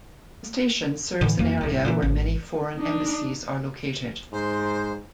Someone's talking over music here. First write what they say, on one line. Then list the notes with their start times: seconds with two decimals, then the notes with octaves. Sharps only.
The station serves an area where many foreign embassies are located.
1.21 A2 D3 E3
1.39 F2 D#3 F#3 A#3
1.61 D1 C2
1.85 A#2 D3 E3
2.02 G#1
2.76 D4 D#4
4.33 G#2 C5